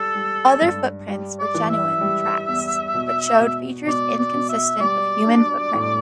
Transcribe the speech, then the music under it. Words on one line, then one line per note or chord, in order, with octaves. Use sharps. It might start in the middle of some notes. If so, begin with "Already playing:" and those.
Other footprints were genuine tracks, but showed features inconsistent with human footprints.
Already playing: G3 A4
G3
G2
G3
D5
E3
E5
G3
E2
B2
B2
B2 D5
D5
B2
E5
G3 D5
D4
A2